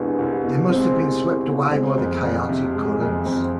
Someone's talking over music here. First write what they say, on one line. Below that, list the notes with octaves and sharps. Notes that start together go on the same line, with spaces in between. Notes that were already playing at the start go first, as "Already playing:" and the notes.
They must have been swept away by the chaotic currents.
Already playing: C2 G#3 B3 D4
C2
B2
G#3 C4
C2
C2
B2
G#3 C4
F2
F2
C3
G#3
F2
F2 C4